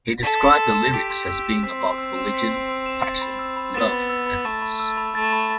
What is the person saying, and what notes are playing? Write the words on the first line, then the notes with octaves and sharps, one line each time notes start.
He described the lyrics as being about religion, passion, love, and loss.
A4 B6
C6
E6
E7
G4 B6
C6
E6
E7
C4 B6
C6
E6
E7
B6
C6
E6
E7
A6
B5
E6
B5
B3 A6
B5
E6
B5
A3 A6
B5
E6
B5
A3 A6
B5